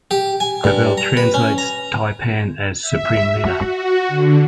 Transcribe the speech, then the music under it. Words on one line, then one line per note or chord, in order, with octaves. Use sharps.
Clavell translates Tai-Pan as "Supreme Leader".
G4
G#5
G2
A#5
B4
C#4
A#5
E5
F#4
F#4
D3